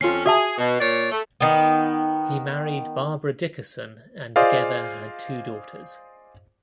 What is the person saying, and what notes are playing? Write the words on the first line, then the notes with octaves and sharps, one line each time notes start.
He married Barbara Dickerson and together had two daughters.
F2 C#4 F4 C7
F#4 G#4 E5 A5
B2
A#2 C#5 D5
A3
D#3 B3
F4 G#4 C5 D5 D#5 F5